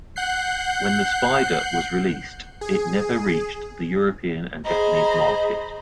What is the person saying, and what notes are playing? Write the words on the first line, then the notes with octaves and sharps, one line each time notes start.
When the Spyder was released, it never reached the European and Japanese market.
F#5 F#6 G6 C7
G#4
G#4 C5 D#5 A#5 B5